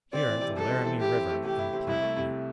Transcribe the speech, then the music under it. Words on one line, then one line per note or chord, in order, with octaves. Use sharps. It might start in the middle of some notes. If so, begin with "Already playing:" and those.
Here the Laramie River and the Platte meet.
C4 D5
E3
C3
C2 A4
C4
E3
E4 G4
C4
A3
C3 G4
E4
C4
C2 E4
A3
C3